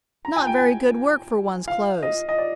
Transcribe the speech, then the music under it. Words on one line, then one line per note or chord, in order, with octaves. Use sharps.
Not very good work for one's clothes.
A#5
G#5
G5
G#5
F5
D#5
D#5
D5